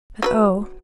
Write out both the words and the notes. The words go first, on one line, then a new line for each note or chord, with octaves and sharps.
But oh!
F#3 A4 B4